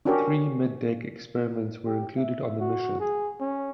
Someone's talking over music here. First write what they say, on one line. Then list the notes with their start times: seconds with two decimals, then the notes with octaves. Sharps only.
Three mid-deck experiments were included on the mission.
0.05 C#4 D4 F#4 G4 A#4
1.85 G4
2.17 E5
2.60 F#4
3.00 G#4
3.40 C#4